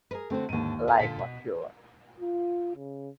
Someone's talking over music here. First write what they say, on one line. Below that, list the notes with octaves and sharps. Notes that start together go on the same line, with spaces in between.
I like what you are.
G#4 A#4 B4
D3 A3 C4 F#4
D#2 G#2 D3 D#7
B2 B3 A4
A#2 D3 F4 B6
B2
F4
C#3